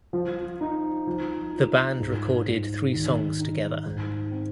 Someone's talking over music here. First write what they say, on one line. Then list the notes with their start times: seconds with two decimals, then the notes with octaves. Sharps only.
The band recorded three songs together.
0.13 F3
0.61 D#4
1.07 F3
1.53 F4
1.99 G#2
2.46 G#2
2.93 D#3
3.39 D#4
3.86 G#2
4.31 C4